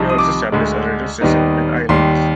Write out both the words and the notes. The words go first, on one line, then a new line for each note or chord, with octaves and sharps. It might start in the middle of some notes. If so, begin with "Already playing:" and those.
He also established a radio station in the islands.
Already playing: C2 C3 F3 C4 D#4
D#6
D6
D2 D3 G#3
D#2 D#3 G3 B3 D#4
D#2 D#3 G3 C6